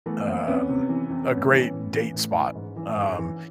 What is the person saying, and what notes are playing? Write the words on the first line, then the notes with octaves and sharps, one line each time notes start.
um, a great date spot." Um,
E3 A3 B3
F2 A#3 C4
F2 B3 C#4
C3
E3
F2
A2 B3 C#4
E3
A2
E3
A2
E3
G#2
E3
G#2
E3